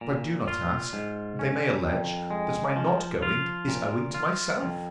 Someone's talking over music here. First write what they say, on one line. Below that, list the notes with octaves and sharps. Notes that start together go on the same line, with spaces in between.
But, if I do not ask, they may allege, that my not going is owing to myself.
A#2
F4
G#2
C#4
F2
G#3
F3
F4
A#2
F4
F2